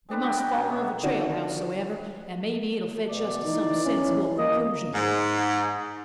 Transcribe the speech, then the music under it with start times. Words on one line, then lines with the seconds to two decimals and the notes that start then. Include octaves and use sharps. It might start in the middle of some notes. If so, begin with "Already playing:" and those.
We must follow the trail, howsoever; and maybe it'll fetch us to some sensible concloosion.
0.09 G#3 C4 D4 B4
0.23 B3 F#4 G4
0.38 A#4 G5
0.52 B2 F#3 C#4
0.69 B2 A#3 B3 E5
1.03 D3 D#3 D4 F#4
3.10 B2 D5
3.44 E3 D#4
3.84 C#4
4.38 A#3 D#5
4.94 G#2